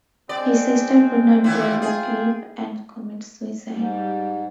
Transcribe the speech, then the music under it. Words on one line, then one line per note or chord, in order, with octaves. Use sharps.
His sister could not bear the grief and commits suicide.
G#3 C4 D5
D#2 E3 E4 F4 G5
G#4
G#2 G3